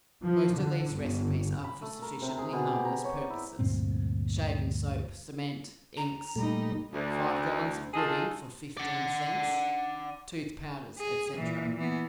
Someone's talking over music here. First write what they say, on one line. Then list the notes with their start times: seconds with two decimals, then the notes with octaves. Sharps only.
Most of these recipes are for sufficiently harmless purposes--shaving-soap, cement, inks--"five gallons of good ink for fifteen cents"--tooth-powders, etc.
0.23 F3
0.58 D3
0.91 G1
1.64 B5
1.82 A3
2.02 A#4
2.22 C3
2.38 G#4
2.53 B2
2.67 G4
2.85 A#5
3.04 C#5
3.15 D5
3.30 E4
3.59 D2 G2 A#2 C4
5.97 A#5
6.36 A#2 G3 A3 D#4
6.93 D2
7.94 D4 D#4 F4 G#4 A4
8.77 D5 F#5
10.98 G#4
11.37 A#2 E3
11.77 E3 B3